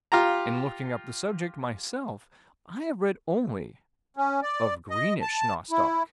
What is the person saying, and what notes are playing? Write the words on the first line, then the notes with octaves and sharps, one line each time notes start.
In looking up the subject, myself, I have read only of greenish nostoc.
F4 G4 A#5
C#4
D5
D#5
A5
E4